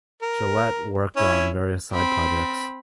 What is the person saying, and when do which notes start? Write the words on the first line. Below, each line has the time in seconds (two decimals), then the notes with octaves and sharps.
Gillette worked on various side projects.
0.22 A#4
1.16 C#4 E4
1.93 C4 B5